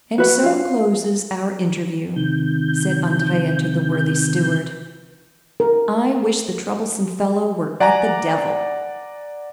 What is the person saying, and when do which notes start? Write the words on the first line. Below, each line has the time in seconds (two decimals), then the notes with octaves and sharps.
"And so closes our interview," said Andrea to the worthy steward; "I wish the troublesome fellow were at the devil!"
0.18 F#4 B4 F#5
0.43 F4 F5
2.16 C3 D#3 G6
5.60 A#4
7.80 D5 F#5 G#5 A#5